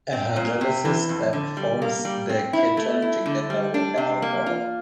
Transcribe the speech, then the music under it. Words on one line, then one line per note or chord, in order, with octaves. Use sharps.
A hydrolysis step forms the ketone together with the alcohol.
C4
A#2
C3
E3
F2
D3
G3
A#3
G3
C4
E4
A3
E4
D3
G3
D4
C3
A#3
F4